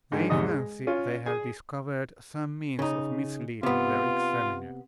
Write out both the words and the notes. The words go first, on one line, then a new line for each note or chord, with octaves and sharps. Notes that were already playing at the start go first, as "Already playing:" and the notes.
They fancy they have discovered some means of misleading their examiner.
G#2 D3 D#3
E2 G#2 C3 D#5 D#6
G#3
C#4 F4
G#4 G#5
C#3 D#4
C3 B3 F4